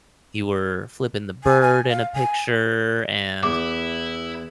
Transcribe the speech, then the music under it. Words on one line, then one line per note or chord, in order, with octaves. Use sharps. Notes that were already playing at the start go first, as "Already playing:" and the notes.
you were flipping the bird in a picture and,
G#5
G#5
F5
G#5
E2 E4 D6